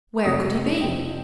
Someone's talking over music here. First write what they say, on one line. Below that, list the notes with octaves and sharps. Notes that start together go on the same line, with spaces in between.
Where could he be?
F2 C3 G3 D#6
F2 C3 F3 G5